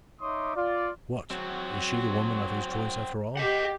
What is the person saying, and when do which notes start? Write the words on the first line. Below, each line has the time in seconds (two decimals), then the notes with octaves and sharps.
'What--is she the woman of his choice after all?'
0.21 D#4 C#5 E5 C6 D6 D#6
0.55 F4 D5
1.31 F#3 C4 F#4
3.37 G4 D#5 F#5